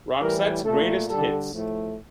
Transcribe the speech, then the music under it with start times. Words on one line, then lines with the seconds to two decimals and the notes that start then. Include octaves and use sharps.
Roxette's Greatest Hits.
0.21 A2 E3 G3 A#4
0.65 A#2 A3 A4
1.09 D3 G3 A4
1.54 A2 F3 A3